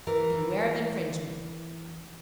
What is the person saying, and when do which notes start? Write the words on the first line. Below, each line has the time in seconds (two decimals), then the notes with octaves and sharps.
Beware of infringements!
0.07 E3 A#4